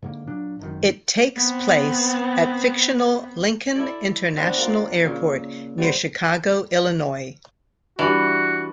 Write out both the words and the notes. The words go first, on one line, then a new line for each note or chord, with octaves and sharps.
It takes place at fictional Lincoln International Airport near Chicago, Illinois.
G#2 D3 A#3
A#2 F#3 D4
G#1 F#2 D#3
B3 C4
E4 A4 D5
B3 C4 D4
A#3 F4
A#2 C#3
G3 B3 C5
E3 G3 D4 F#4